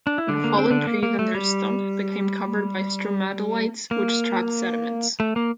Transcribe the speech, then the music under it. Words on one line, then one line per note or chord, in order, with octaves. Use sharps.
The fallen trees and their stumps became covered by stromatolites which trapped sediments.
D4
E4
D3 D4
A#3
C4
D3 D4
A#3
A#3
A3
G3
A#3
A3
A#3